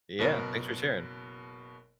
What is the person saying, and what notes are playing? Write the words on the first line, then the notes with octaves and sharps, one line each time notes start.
Yeah, thanks for sharing.
F#1 B2 A#4